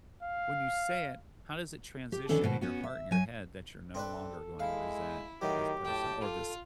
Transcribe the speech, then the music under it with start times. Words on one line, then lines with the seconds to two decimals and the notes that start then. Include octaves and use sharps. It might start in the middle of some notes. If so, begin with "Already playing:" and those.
When you say it, how does it transition in your heart and your head that you're no longer going to resent this person or this
0.23 F5
2.12 G4
2.29 D#3 B3 C#4 D4 A4
2.41 D#2 G#2 B2 F#4
2.61 B3 C#4 F#4
2.83 E5
3.11 F#3 G#5
3.95 C4 D4 A4 B4
4.60 G#3 E4 F5
5.42 D#3 F#3 A3 G4
5.85 A2 G5 A5
6.21 F4 A4